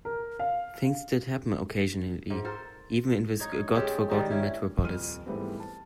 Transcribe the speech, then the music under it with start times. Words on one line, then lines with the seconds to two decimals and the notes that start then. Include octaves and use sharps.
Things did happen occasionally, even in this God-forgotten metropolis.
0.05 A#4
0.39 F5
2.30 G#2
2.45 A4 A#4 C5
3.40 D#4 C#5
3.75 G#3 C#4 G4 A4
4.10 D#3 G3 D#4
4.31 C#4 E4
4.84 D#1 F2 F6 D#7
5.26 G#2 E3 G3 A3 B3 C4
5.60 A5